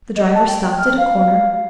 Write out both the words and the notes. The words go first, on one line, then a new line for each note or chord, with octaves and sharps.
The driver stopped at a corner.
D#5
A5
G5
F6
F5